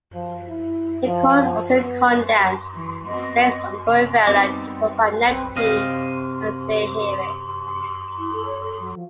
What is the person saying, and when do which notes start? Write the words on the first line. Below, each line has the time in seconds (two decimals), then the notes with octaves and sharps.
The Court also condemned the State's ongoing failure to provide Neptune a fair hearing.
0.13 F3
0.48 E4
1.06 F3
1.79 B3
2.74 E3
3.07 B3 C4 F#4 D#5
3.89 C3
4.27 G3 B3 C4 D#4 D6
5.29 B1 C4 B4
5.56 C3 D#5 F5
8.18 E4
8.32 A4
8.45 C#5
8.62 A4
8.79 F#3
8.95 F3